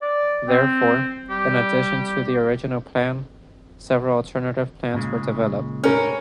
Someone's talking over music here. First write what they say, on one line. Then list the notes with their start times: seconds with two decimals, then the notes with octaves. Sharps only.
Therefore, in addition to the original plan several alternative plans were developed.
0.02 D5
0.48 C4
1.29 G3 G4
4.94 A#2 C#3 G#3
5.84 F1 C#4 A#4 F6